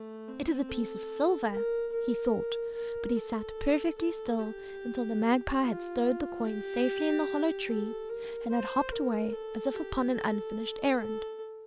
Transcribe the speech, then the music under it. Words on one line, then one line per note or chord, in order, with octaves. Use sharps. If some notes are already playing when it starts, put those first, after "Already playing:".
"It is a piece of silver!" he thought, but he sat perfectly still until the Magpie had stowed the coin safely in the hollow tree and had hopped away as if upon an unfinished errand.
Already playing: A3
C4
A4
A#4
A#4
A#4
A4
A4
G4
F4
G4
A4
A#4
C5
A#4
A4
G4
A4
A4